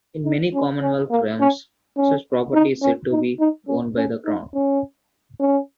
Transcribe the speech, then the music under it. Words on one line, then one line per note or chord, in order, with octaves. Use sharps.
In many Commonwealth realms, such property is said to be owned by the Crown.
D#4
C#4
C#4
A#3
C#4
C#4
D#4
C#4
D#4
D#4
C#4
C#4
D#4
C#4
C#4